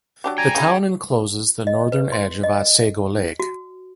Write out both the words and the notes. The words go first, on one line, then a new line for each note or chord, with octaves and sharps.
The town encloses the northern end of Otsego Lake.
F#3 D4 G4
D5 G5 G#5 A#5 G#6
C#3 F#3 E4
D#5
B4
C6
D#5
F#4